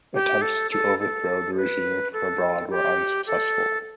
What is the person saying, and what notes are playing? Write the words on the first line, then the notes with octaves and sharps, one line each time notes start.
Attempts to overthrow the regime from abroad were unsuccessful.
G4
A4
A4
A4
B4
A4
G4
A4